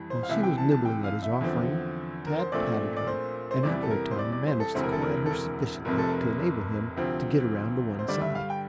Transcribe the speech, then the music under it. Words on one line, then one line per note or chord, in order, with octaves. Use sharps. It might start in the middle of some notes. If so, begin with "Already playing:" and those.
While she was nibbling at his offering, Tad patted her and after a time managed to quiet her sufficiently to enable him to get around to one side.
Already playing: F2 E3 G3
C5
F5
C2 C3 E3 E5
G5
A5
A5
G5
F5
E5
E2 D3 F3 C4
A#4
C5
A#1 A#2 A3 C4 D5
D5
C5
C5
E2 C3 E3 G3 D5
A4
A#4
C5
D5
D5
C5
A4
E1 D2 C3 E3 C5
A#4
A4
A#4
A4
A#4
F1 F2 C3 A#4
A4
A#4
D2 C3 F3 C4
C5
G2 D3 G3 D5
E5
F5
G5